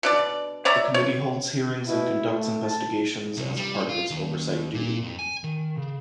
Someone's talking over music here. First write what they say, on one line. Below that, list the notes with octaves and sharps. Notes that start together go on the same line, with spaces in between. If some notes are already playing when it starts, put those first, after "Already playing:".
The committee holds hearings and conducts investigations as part of its oversight duty.
B2 D4 D5
C#5 D5 E5 A#5
C#5
B2 E4
A3
A5
C2
G3
F4
D#2
A#2
F2
G#5
D#3
C#3